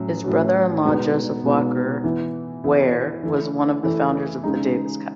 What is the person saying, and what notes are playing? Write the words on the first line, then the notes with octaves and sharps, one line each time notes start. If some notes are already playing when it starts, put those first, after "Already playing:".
His brother-in-law Joseph Walker Wear was one of the founders of the Davis Cup.
Already playing: A2 F#3 C#4
A2 F#3 C#4 F#4
B2 G#3 B3 D#4
B2 G#3 B3 D#4
E3 B3 E4
E3 B3 E4
E3 A3 E4
E3 A3 E4
C#3 G#3 D#4